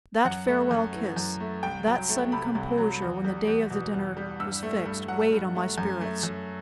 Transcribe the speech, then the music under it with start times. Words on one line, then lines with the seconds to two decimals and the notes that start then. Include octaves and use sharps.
That farewell kiss, that sudden composure when the day of the dinner was fixed, weighed on my spirits.
0.25 F#2 F#5
0.48 A3
0.71 F#2
0.94 E3
1.16 F#2
1.40 A3
1.63 C2 G5
1.86 F#3
2.09 A3
2.32 C3 B5
2.55 C2
2.78 F#3
3.02 E2
3.25 G3
3.47 E2
3.70 B2
3.93 E2
4.17 G3
4.40 G2 E6
4.63 A3
4.86 G2
5.08 F#3 F#5
5.32 G2
5.55 A3
5.78 F#2
6.01 A3
6.23 F#2